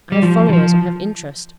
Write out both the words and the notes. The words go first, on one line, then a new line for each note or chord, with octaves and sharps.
I have followers,--I have interest.
G3
F3
D#3
F3